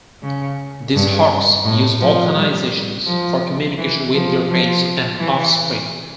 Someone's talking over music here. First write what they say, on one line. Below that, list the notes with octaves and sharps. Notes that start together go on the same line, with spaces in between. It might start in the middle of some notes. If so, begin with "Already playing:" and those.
These hawks use vocalizations for communication with their mates and offspring.
C#3
G2
A2
F3
G3
F3
E3
F3
F3
E3